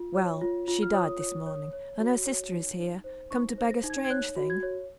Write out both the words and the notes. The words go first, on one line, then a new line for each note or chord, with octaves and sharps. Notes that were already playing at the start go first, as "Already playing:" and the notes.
'Well! she died this morning, and her sister is here--come to beg a strange thing.
Already playing: F4
C#5
F4
F4
F6
C#5 D#6
C#5
C#5
C#5
F#4
C#5
D#4
D#4
C5
D#4 C#6
A#6
C5
A#6
D#4
G#6
G#6
C#5 F#6
F#4
G#6
C#5